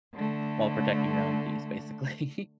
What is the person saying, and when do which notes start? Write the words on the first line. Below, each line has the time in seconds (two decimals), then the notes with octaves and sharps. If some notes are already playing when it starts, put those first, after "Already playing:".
while protecting your own peace, basically.
0.14 D3 A3